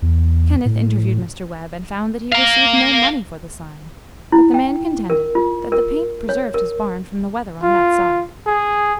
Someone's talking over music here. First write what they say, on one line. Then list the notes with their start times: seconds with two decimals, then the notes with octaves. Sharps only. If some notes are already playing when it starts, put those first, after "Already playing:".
Kenneth interviewed Mr. Webb and found that he received no money for the sign; but the man contended that the paint preserved his barn from the weather on that side.
0.02 E2
0.65 A2
2.32 F5 A#5
4.32 E4
4.54 G5
5.10 A#4
5.35 F4
5.72 A#4
6.29 C#5
6.54 A#4
7.63 F4
8.47 G#4